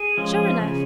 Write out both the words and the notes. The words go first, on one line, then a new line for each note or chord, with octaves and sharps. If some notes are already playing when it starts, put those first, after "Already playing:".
Sure enough.
Already playing: G#4
F3 G#3 C#4
C#3